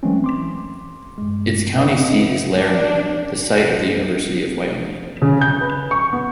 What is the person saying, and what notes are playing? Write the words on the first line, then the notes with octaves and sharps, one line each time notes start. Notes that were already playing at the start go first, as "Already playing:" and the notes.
Its county seat is Laramie, the site of the University of Wyoming.
E3 F#3 G#3 A3 C4 C#4
C6 D6
G2 G#3
C4 D4 B4 D#5 E5 F#5
D4
C#3
G6
B4
C#6
B3